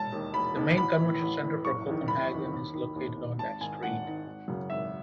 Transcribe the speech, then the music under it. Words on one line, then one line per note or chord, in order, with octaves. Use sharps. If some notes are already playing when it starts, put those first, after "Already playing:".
The main convention center for Copenhagen is located on that street.
Already playing: E1 A5
D#2 D#3
E1 B5
D#2 D#3
A1 B5
A2 E3
A1
A2 E3
F#1 C#6
E2 D#3
F#1 B5
E2 D#3
D#2
D#3
D#2
D#3
G#1 A5
G#2 D#3 G#5
G#1 F#5
G#2 D#3
G#1
F#2 C#3
G#1 E5